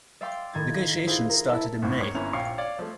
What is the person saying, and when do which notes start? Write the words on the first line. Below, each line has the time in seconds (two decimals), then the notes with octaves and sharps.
Negotiations started in May.
0.21 D5 E5 F5 G5 C6 D6
0.53 A2 D#3 G#6 A6
1.07 E4 F4 G#4 C5 F5
1.29 A#4
1.49 E4 E5 A5
1.82 G#1 D#2 A2
2.01 A#4 C#5 C#6
2.15 G1 A#3 C#4 E4 F7
2.33 A#1 C#5 F5 G5 C#6 C7
2.58 C#5 D5 F5
2.79 F3 A3